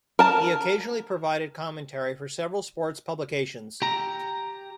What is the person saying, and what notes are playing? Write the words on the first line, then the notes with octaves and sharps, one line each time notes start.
He occasionally provided commentary for several sports publications.
A#4 A5
G4 A#5